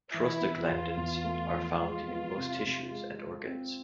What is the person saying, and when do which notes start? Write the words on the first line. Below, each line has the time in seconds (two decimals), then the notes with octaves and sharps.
Prostaglandins are found in most tissues and organs.
0.14 E3 E4
0.41 B3
0.69 E2 F4
0.97 E2
1.24 A3
1.52 F3
1.80 G#3 F4
2.08 B3
2.36 C3
2.63 C3
2.91 G#3
3.19 F4
3.47 C4